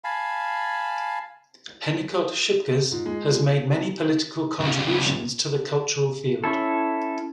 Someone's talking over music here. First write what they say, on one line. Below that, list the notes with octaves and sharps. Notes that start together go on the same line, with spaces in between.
Hennicot-Schoepges has made many political contributions to the cultural field.
F5 G#5 A5 B5
G#2 F4
G#3
F4
C2 C#3
C#4 E4 A4